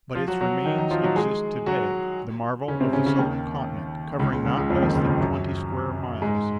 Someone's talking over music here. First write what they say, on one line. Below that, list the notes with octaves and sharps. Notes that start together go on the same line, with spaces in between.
But its remains exist to-day, the marvel of the Southern Continent, covering not less than twenty square miles.
F3 F4
F#3 F#4
F#3 F#4
D#3 D#4
D#3 D#4
F3 F4
F#3 F#4
G#3 G#4
F#3 F#4
C#3 C#4
C3 C4
C#3 C#4
C#3 C#4
D#2 D#3
C#2 C#3
C#2 C#3
C#2 C#3
C#2 C#3
F2 F3
D#2 D#3
C#2 C#3
D#2 D#3
F#2 F#3
G#2 G#3